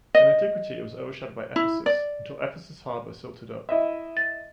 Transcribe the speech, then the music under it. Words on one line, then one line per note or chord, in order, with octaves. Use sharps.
In antiquity it was overshadowed by Ephesus, until Ephesus' harbor silted up.
D#5
E4
D5
E4 D#5 E5
A6